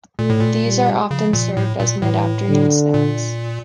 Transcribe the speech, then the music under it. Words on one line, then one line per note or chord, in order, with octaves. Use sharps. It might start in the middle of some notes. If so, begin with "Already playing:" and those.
These are often served as mid-afternoon snacks.
A#2 A3
A2
A#2
G3
C#3 F3
A#2
A2
A#2
A2 E3
D3
A#2